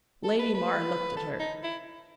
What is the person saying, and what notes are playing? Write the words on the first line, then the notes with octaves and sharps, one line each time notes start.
Lady Mar looked at her.
A4
B4
B4
A4
D#4
E4